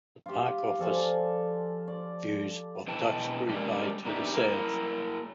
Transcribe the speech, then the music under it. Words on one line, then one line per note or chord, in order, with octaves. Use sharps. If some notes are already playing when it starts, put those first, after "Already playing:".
The park offers views of Duxbury Bay to the south.
F4 G4
F3 A4 D5 G#5
D5
B2 E3 G5 A5
C#3 G3 G#3 A#3 D4
B3 D4 D#4 G4 E5
A#3 E4 A#4